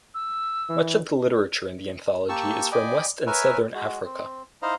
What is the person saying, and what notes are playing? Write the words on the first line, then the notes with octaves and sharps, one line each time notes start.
Much of the literature in the anthology is from West and Southern Africa.
E6
E3
A#3 G4 A5 C#6 E6
D5 D#5 G5 G#5 B5 D6
A#4 B4 C#5 E5 G#5
G#3 F#4
C4
D#4 E4 C5 D#5 F5 A#5